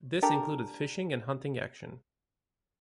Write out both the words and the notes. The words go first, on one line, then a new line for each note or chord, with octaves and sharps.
This included fishing and hunting action.
D4 G4 A4 A#4